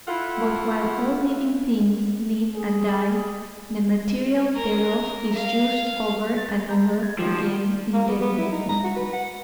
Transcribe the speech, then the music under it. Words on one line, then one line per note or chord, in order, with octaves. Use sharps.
But while all living things live and die, the material thereof is used over and over again indefinitely.
E4 F4 A4 F#5
G#4
A#4
F5
A6
A5 A#5 G6
G#6
D#3 F3 F#3 G4
A#3
B3
B3
E4
D#4
A#5
F#4
B4
F#5